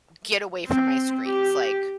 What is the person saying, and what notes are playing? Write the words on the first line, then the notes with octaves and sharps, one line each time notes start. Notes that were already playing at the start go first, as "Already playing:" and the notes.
get away from my screens, like
C4
G4